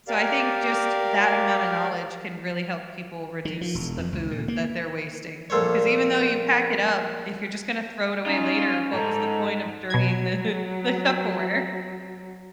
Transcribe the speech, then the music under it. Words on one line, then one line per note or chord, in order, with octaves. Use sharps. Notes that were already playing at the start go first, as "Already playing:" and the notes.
So I think just that amount of knowledge can really help people reduce the food that they're wasting. 'Cause even though you pack it up, if you're just gonna throw it away later, what was the point of dirtying the the Tupperware?
G4 A#4 D5 F5
D#3
F3
E1
F2
C#2
A#2
A#3
A#1 A#2 A4 C5 C#5
C#4 D#4 F4
G#2 A4 A#5
B2 F#3 G#6